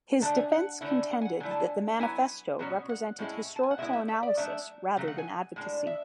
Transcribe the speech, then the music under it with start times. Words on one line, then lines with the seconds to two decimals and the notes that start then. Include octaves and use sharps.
His defense contended that the Manifesto represented historical analysis rather than advocacy.
0.22 D3 A3 D4 A5
0.37 G#5
0.52 F#5
0.81 D3 A3 C#4 E4
1.11 F#5
1.21 G#5
1.25 F#5
1.40 D3 A3 E4 G#5
1.51 A5
1.60 G#5
1.99 F#3 B3 E4 G#5
2.59 B2 F#3 C#4
2.89 F#5
3.19 A2 G#3 C#4 E4
3.56 A5
3.63 G#5
3.71 F#5
3.78 B2 G#3 B3 E4 E5
3.93 E5
4.08 E5
4.23 D5
4.37 F#3 A3 D4 E5
4.97 C#3 F#3 A3
5.08 F#5
5.18 G#5
5.56 A2 G#3 D4
5.87 E5